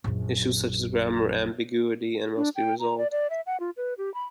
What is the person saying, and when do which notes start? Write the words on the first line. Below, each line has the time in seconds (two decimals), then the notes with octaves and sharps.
Issues such as grammar ambiguity must be resolved.
0.04 A#1 F#2
2.36 D4
2.56 G5
2.80 A#5
2.98 D5
3.11 D5
3.30 E5
3.46 F#5
3.60 F4
3.77 B4
3.98 G4
4.14 B5